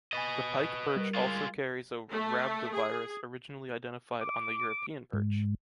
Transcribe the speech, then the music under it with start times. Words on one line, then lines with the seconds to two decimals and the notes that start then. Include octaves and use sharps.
The pike perch also carries a rhabdovirus originally identified on the European perch.
0.13 B4 D#5 G#5 B5 A6
0.96 G3 A#4
1.15 G#3 F4
2.11 A3
2.73 G#4
4.21 D6
5.13 G#2